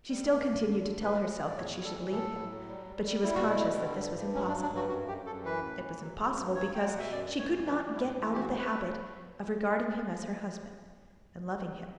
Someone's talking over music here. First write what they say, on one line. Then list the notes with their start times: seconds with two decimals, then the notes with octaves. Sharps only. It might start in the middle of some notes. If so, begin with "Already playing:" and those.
She still continued to tell herself that she should leave him, but she was conscious that this was impossible; it was impossible because she could not get out of the habit of regarding him as her husband and loving him.
0.09 G3
0.28 G2
0.46 F#2
0.65 D3
0.83 D3
1.01 A2 B4
1.20 A2
1.38 A2
1.46 D5
1.56 E2 C#5
1.75 G3
1.84 A4
1.94 E3
2.12 A2 A4
2.31 A2
2.50 F#3
2.68 G3
2.86 G3
3.04 G3
3.23 G3 E4
3.35 F#4
3.42 B2 E4
3.60 G3
3.78 D3
3.97 G2
4.15 G2
4.34 F#3 C#4
4.48 D4
4.53 F#3
4.62 D4
4.72 G2 F#4
4.89 F#2 F#4
5.08 F#2 G4
5.26 F#2 A4
5.44 E3 B4
5.63 A2
5.81 E3
6.00 F#3
6.19 F#3
6.37 G2
6.55 F#3 C#5
6.74 F#3 G5
6.87 F#5
6.93 B2
6.98 E5
7.11 F#2 D5
7.30 F#2
7.39 C#5
7.48 E3
7.66 G3 B4
7.85 G3
7.94 E4
8.03 A2
8.22 E3 E4
8.33 G4
8.40 F#2 F#4
8.59 B4